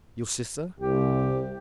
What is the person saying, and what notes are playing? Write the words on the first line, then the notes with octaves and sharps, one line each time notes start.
"Your sister?"
C2 G4